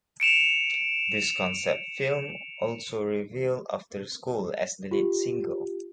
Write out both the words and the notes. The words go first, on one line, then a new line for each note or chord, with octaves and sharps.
This concept film also revealed "After School" as the lead single.
C#7 D7 E7 F7
F4 G4